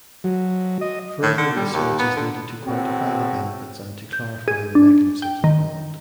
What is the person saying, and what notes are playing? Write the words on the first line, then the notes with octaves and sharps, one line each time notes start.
Further research is needed to quantify the benefits and to clarify the mechanisms involved.
F#3
D#5
A2
D3
G3
D#2
B3
D3
E2 A2 C4 F#4
G6
G#4
D4
G5
D#3